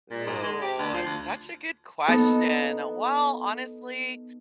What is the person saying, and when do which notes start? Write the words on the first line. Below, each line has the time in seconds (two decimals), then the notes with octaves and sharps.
Ooh, such a good question. Well, honestly,
0.11 A#2
0.27 G#2
0.43 G#3
0.61 G4
0.78 D2
0.94 F3
1.06 D2
2.08 B3 D#4 A4